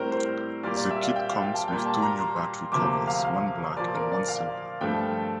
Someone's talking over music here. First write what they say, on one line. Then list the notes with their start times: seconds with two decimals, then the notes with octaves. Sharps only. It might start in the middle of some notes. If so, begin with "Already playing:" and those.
The kit comes with two new battery covers, one black and one silver.
Already playing: A2 G3 C4 A#4 C5
0.12 C5
0.63 A#2 G3 A#3 D5
0.77 D5
0.91 E5
1.03 F5
1.16 G5
1.29 F5
1.42 F5
1.55 A5
1.68 A#2 G3 A#3 G5
1.86 A5
2.02 A#5
2.21 C6
2.72 D2 C3 F3 A#3 D6
3.08 F5
3.25 F5
3.77 A#2 F3 A#3 D5
3.95 A#4
4.12 D5
4.28 F5
4.81 G2 F3 A3 G5
4.98 A5